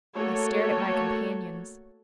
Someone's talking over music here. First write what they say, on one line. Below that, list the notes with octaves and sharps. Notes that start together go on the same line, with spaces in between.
I stared at my companions.
A3 A#3 F#4 A4 C#5